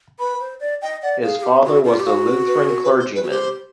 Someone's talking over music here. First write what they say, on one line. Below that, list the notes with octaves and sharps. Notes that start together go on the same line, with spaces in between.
His father was a Lutheran clergyman.
B4 B5
C5
D5
D#5 G5
D5 F#5
G#4 F5
G#4
G4
F#4
F4
G4
F#4 F5
B4
B4
A#4
B4
C5
B4
F#4
G4 C5